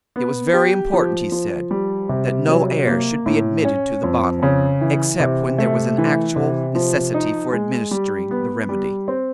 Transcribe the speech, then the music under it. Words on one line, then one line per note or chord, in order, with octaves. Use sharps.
It was very important, he said, that no air should be admitted to the bottle, except when there was an actual necessity for administering the remedy.
B3
G4
F3
F3
G3
C3
F#3
A#3
A2
C#4
F2
C#3
E3
C3
A3
E3
C3
F3
D#4
G#3
G3
B3
G3
C4